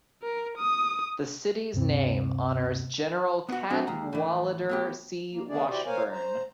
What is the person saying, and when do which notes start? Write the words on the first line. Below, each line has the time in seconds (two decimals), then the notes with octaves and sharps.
The city's name honors General Cadwallader C. Washburn.
0.22 A#4
0.57 D#6
1.74 D2 G2 C3 C4
3.49 B3 F#4
3.70 F#3 B3 C4 D4
3.87 D#2 G#3 A#5
4.13 A2 E3
4.69 A3 B3 G4
5.32 A#3
5.48 D#3 A3 B3 D4 G#4 D5
5.68 E4 F#4 G4 C5 D5
5.86 A#4 C5 C#5 F5 G#5
6.11 C5 A#5